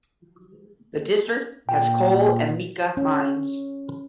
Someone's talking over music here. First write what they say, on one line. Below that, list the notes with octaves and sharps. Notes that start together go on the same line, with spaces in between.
The district has coal and mica mines.
A#2 G5
C#4